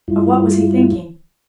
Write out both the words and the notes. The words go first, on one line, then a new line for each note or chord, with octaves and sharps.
Of what was he thinking?
G2 G3 E4 F4